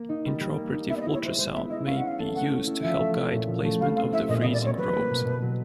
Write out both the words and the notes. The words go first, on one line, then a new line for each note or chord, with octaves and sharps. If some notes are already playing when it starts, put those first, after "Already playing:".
Intraoperative ultrasound may be used to help guide placement of the freezing probes.
Already playing: A#3
D#4
G3
G3
A#3
D#4
B3 E5
D5
D#5
E4
C#5
G#3 C5
G#3 C5
B3 E5
E4 D#5
C#4 F5
F#5
E4 F5
A4
A3 F#5
C#4
E4
F3 E5
A3
C#4
A#2
F3
A3
G3 F5
C4 F5
E4 E5
A#2 D#5
D#5
G3
D5
C4 C#5
F#3 B4
A#3
B2
B2
F#3